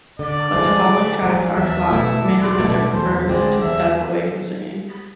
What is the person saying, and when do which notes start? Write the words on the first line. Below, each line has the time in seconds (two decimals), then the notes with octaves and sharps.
But the following tracks are flops, Mandy Winter prefers to step away from singing.
0.19 D3 D5
0.54 F3 G#3 D4
0.88 D3
1.23 F3 G#3 D4
1.56 E2 E5
1.91 B2 A3 E4
2.26 E2 D5
2.59 B2 A3 E4
2.94 E2 C5
3.28 D3 G#3 C4 E4 D5
3.62 E2 E5